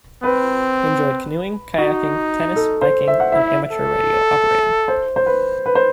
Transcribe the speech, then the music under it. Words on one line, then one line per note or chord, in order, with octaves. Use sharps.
He enjoyed canoeing, kayaking, tennis, biking and amateur radio operating.
C4 B4
D#4 F#4
A4
C5
E5
F#5
E4 E5
A4
C5
C5
B4
B4
C5